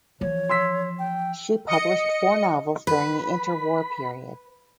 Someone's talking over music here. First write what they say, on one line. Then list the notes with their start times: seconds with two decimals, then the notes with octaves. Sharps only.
She published four novels during the interwar period.
0.21 E3 F3 C#5
0.49 C6 E6 B6
0.99 G5
1.67 D#5 C#7
2.87 B4 B5